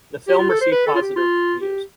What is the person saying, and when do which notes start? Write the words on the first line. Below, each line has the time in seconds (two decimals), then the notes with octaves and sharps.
The film received Positive Reviews.
0.27 G4
0.39 F4
0.49 A4
0.61 C5
0.72 B4
0.86 A4
0.95 F4
1.02 G4
1.16 F4
1.61 G4